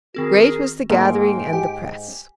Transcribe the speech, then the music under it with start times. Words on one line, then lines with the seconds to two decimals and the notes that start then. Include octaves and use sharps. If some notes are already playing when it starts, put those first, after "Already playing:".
Great was the gathering and the press.
0.14 D#3 C4 F#4 G#4 A#4
0.90 G#2 A#3 G5
1.53 G4 G#5